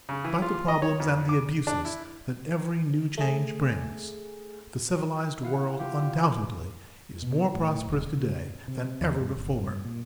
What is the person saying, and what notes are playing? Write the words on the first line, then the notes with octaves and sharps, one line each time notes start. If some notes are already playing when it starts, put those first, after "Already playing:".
Despite the problems and the abuses that every new change brings, the civilized world undoubtedly is more prosperous to-day than ever before.
C#3
E3
F4
D#5
C#5
F2
D6
D4
E4
A3 G#4
E4 F5 F#5
F4 G4
B2
A2
D#1
C#3
C3
D#2
G2
G1
G2
A#2